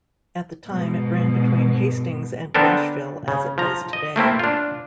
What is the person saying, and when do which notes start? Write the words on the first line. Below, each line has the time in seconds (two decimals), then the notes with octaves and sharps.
At the time, it ran between Hastings and Nashville as it does today.
0.68 G#2 B2
2.54 D3 B3 C4 D4 A4 A#4
3.28 C#3
3.58 F3 A#5
3.93 D#5
4.16 A3 A#3 C4 E4
4.39 D4 F4